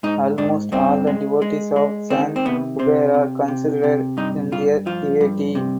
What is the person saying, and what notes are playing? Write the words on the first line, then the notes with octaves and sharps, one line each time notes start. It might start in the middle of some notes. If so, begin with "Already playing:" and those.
Almost all the devotees of Sant Kubera considered him their deity.
G#2 D#4
G#2 D4
G2 C4
G#3
G#3
G#3
D#3 C4
C4
C3 B3
C3 C4
C3
C3
C3
G2 D#4
G2 F4
F3 F4
G2
C3